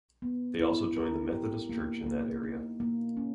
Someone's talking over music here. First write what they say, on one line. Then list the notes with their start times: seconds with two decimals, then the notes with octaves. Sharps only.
They also joined the Methodist church in that area.
0.22 B3
0.59 E4
0.97 A#4
1.32 G4
1.69 A#3
2.06 A#3
2.43 D#4
2.80 A#3
3.17 C#4